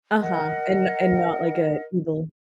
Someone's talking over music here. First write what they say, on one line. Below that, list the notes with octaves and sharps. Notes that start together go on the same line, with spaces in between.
Uh-huh, and and not like an evil
A#4 D#5 F#5